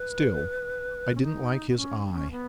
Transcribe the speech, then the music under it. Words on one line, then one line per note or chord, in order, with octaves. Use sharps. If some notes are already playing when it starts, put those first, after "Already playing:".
Still, I didn't like his eye.'
Already playing: B4
C#4
D#4
B3
C#4
B3
C#4
B3